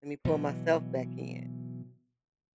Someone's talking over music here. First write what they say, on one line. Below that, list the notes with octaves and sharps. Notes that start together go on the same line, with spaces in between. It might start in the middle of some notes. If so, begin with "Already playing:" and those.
let me pull myself back in."
B2 E3 F#3